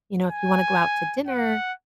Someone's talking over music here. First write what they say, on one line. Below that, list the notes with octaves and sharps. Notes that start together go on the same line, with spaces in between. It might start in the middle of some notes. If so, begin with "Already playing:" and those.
"You know, if you wanna go out to dinner"
G#5
F#5